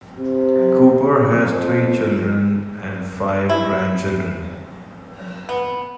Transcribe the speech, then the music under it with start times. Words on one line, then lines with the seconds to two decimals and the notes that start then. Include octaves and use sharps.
Cooper has three children and five grandchildren.
0.18 C3
1.31 F2
3.49 E4
5.49 B3